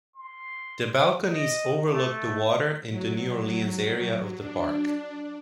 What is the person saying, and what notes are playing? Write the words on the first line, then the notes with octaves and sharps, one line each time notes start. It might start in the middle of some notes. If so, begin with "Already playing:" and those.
The balconies overlook the water in the New Orleans area of the park.
C6
D#5
A3
F#3
F#3
D4